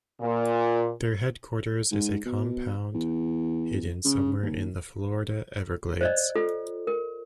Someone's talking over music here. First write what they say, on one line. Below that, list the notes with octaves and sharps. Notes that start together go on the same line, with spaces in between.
Their headquarters is a compound hidden somewhere in the Florida Everglades.
A#2
G#2
B2
E2
C#3
D#2
C5 D5 D#5
F4 A4
A#4